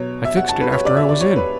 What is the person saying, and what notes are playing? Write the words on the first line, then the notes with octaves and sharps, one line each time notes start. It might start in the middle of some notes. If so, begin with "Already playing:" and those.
"I fixed it after I was in."
Already playing: B2 F#3 C#5
E5
F#5
A5
B4
C#5
D5
E5
D5
C#5
B4